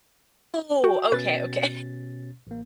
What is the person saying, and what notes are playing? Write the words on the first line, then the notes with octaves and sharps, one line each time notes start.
Oh, okay, okay.
F#4 G5
B2 C#4 B4 A6
A1 A#3